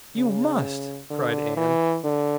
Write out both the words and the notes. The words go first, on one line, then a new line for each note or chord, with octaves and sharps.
"You must!" cried Ann.
C#3
D3
E3
D3